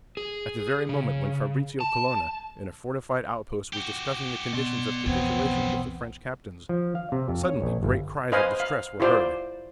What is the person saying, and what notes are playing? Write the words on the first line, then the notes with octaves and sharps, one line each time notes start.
At the very moment when Fabrizio Colonna in a fortified outpost was discussing the conditions of capitulation with the French captains, suddenly great cries of distress were heard.
G#4
C#3
A5
F#4 G4
B2 D5 C6
B1 E2 F3 B3 C4 C#5
F3
F5
C3
F2
C#5
A#1
G1
B4 C5 D#5 F5 G#5
F5
E4 F4 G4 C5 D5